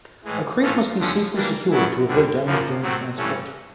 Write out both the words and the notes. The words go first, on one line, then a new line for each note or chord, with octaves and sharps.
A crate must be safely secured to avoid damage during transport.
A2 E3 G#3
A2 E3 A3 C#4 F4
F2 D3 F3 A3 C#4
E3 G3 A#3 D4
F#2 C#3 F#3 B3 E4
D#2 D3 G3
F#2 C#3 F3 A#3
A2 F#3 A3 C4
G2 E3 A3 C#4